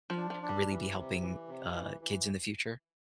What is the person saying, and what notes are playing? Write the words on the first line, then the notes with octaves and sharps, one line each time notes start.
really be helping, uh, kids in the future?
F3
D4
F3
D4
G3
E3
C3
E3
C3
E3
E3